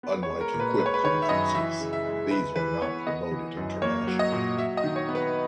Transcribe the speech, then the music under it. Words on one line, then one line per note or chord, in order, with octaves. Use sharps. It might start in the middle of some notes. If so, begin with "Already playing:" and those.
Unlike Equip conferences these are not promoted internationally.
B3
C#5
G#3
A#4
A#2
B4
G#3 B4
C#5
B4
D#3 C#5
E5
F#2 D#5
E3 E5
C#3
E5
G#3
G#3 B4
E3 B4
B3 C#5
B3 D#5
E3
F#2
A#3 C#5
F#3
D#5
A#2
F#3 E5
D#5
D#3
C#5
B3
B4